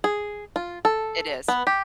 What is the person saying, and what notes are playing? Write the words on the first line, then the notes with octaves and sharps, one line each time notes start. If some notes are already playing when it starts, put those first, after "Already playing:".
It is.
G#4
F4
A4
B3
G4